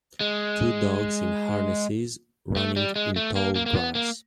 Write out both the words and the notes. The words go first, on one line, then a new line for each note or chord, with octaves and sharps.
Two dogs in harnesses running in tall grass.
G#3
A3
G3
G#3
A3
A#3
A#3
A#3
B3
A#3